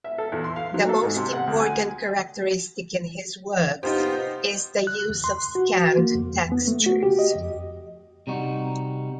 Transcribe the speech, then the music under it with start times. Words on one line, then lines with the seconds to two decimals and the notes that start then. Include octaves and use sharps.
The most important characteristic in his works is the use of scanned textures.
0.04 E5
0.18 A4
0.32 E2
0.44 C6
0.56 F5
0.74 F#3
0.89 A4
1.03 G#2
1.16 C3
1.33 F#5
1.47 D2
1.60 G#5
3.83 C3 B3 D#4 F4 G4 C5
4.87 F#6
5.10 E2
5.24 C6
5.55 F#4
5.98 A#3
6.15 F2
6.52 B3
6.68 A3
6.86 F#4
7.03 G4
7.19 D#5
7.35 F2
8.27 C3 G3 D#4 F#4